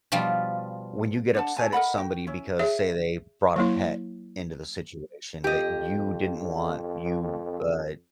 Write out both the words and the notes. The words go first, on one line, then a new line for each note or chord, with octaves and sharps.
when you get upset at somebody because, say, they brought a pet into the situation that you didn't want, you, uh,
B2 F3 G3 F4
D4 F#5 A5
E4 F#4 G#5 A5
A#4 D#5 F#5 B5
F#4 G5
C#4 E4
G#4 C#5 E5
F#3 A#3 E4
F2 G4 D#5